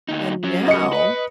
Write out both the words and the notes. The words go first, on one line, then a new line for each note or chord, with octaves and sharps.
and now
D2 D#4
F#3 C#4
D#5 C#7
B4